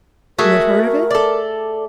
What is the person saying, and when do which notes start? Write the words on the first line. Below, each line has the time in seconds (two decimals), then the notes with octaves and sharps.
You have heard of it?
0.39 A3 F#4 G#4 A#4 E5
1.11 A4 D5